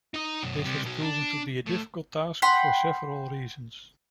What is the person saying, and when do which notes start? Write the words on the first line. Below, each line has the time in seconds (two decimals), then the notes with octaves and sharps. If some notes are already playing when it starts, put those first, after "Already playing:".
This has proven to be a difficult task for several reasons.
0.14 D#4 D#5
0.43 F#2 B2
0.64 C3 G3
0.84 B2 F#3
1.02 D4
1.66 A2
2.42 F#5 G5 B5 C6